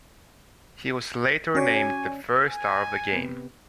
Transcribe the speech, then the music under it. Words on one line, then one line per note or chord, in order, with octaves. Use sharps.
He was later named the first star of the game.
C#4 F#4 C#5 D5 G#5
G#5
C3 B3